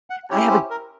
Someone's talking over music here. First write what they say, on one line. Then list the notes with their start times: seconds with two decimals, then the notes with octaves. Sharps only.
I have a
0.10 F#5
0.31 C#4 E4 G4 C#5
0.50 C5
0.70 A#4